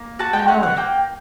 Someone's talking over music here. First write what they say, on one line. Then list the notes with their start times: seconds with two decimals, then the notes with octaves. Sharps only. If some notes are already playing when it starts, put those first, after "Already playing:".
'I know it!
Already playing: A#3
0.19 F#4 A5
0.33 G5
0.48 C#4 F#5
0.63 F#5
0.77 A#3 G5